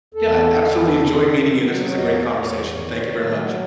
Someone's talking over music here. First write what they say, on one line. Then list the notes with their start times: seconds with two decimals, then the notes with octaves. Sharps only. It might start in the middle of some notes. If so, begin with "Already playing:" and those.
Yeah, I absolutely enjoyed meeting you, this was a great conversation. Thank you very much.
0.14 E2 A4
0.57 E2
1.01 D#3
1.44 F#3
1.87 E2 C#5
1.97 D#5
2.06 C#5
2.31 E2
2.74 D#3
3.17 F#3